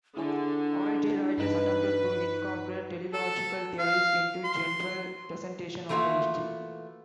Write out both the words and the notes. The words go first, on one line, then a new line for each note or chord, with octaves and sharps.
All three writers attempted to incorporate teleological theories into general presentations of the history.
D3 D4 E4 G#4
G2 E3 D#4 B4
A4
F5
C6
E3 A3 A#3 F4 F#4